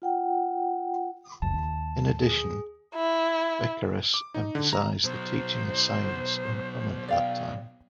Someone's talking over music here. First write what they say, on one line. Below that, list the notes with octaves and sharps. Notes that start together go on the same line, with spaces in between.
In addition, Becheras emphasised the teaching of science, uncommon at that time.
F4 F#5 G5
F1 C#2 F#2 A5
D#2
G#4
E4
D6
D#4
D3
A#5
B2 F#3 C5
D5 F5 G5